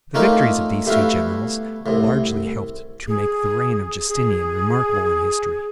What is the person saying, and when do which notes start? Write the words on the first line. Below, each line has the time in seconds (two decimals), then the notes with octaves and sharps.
The victories of these two generals largely helped to make the reign of Justinian remarkable in history.
0.15 A3 A#3 C#4 D#4 F4 A#4
0.86 G3 A3 B3 E4 F#4 F5
1.86 C2 A2
3.07 G#4
4.08 G#4